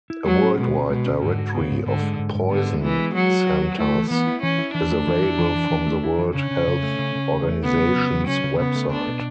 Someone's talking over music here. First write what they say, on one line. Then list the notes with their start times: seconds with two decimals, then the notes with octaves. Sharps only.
A worldwide directory of poison centers is available from the World Health Organization's website.
0.10 E4
0.26 F#3 G#3
0.43 C#4
0.58 B2 G#3
0.74 C#4
0.90 B2 G#3
1.06 C#4
1.22 G#2 D3
1.39 F#4
1.54 C#3 B3
1.70 G#2
1.86 G#2 D3
2.03 G#3
2.19 G#2
2.34 G#2
2.50 D3 B3
2.66 G#3
2.82 E3 B3
2.98 G#3
3.14 F#3 F#4
3.30 F#4
3.47 F#4
3.62 F#4
3.78 A3 E4
3.95 E3
4.10 E3 B3
4.27 E4
4.42 E3 C#4
4.58 E4
4.74 E3 D4
4.91 A3
5.07 E3
5.22 E4
5.39 E3
5.55 E3
5.70 E3
5.87 A3
6.04 E4
6.18 E3
6.34 C#3 C#4
6.51 C#3
6.67 C#3
6.83 A3
6.99 C#3
7.15 C#3
7.32 A3
7.48 A3
7.63 C#3 B3
7.79 F#3
7.95 C#3
8.11 F#3
8.27 C#3 C#4
8.44 C#3
8.59 C#3 B3
8.75 A3
8.92 B3 D4
9.08 B2